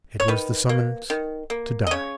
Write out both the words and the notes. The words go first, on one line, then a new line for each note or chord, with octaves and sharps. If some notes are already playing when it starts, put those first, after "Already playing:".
It was the summons to die.
C#5
D#3 B4
A#3
D#3
A#3
D#5
C#3 C#5